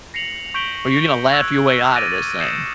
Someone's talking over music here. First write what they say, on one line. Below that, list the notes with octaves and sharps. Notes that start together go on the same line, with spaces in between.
or you're gonna laugh your way out of this thing."
A#6 C7 C#7 F7 F#7
C#6 G6 B6 D7 F#7 G7
E6 F#6 G#6
D6 F6 A6 A#6 D7 D#7
D#6 G6 A6 C7 C#7 E7